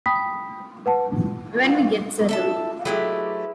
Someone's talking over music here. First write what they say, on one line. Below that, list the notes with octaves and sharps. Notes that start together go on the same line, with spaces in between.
When we get settled.
G5 B5 D#6 B6
B4 F#5 A5
A4 E5 A5
F#3 G#3 A3 E4 G4 B4